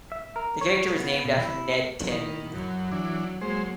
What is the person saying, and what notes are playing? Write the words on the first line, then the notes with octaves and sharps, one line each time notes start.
The character was named after Ned Tanen.
E5
A#4
C#5
B3
B2
E4
D#3 E4
F#2 F#3
E3 D4
F#3 G#3 A#3 C5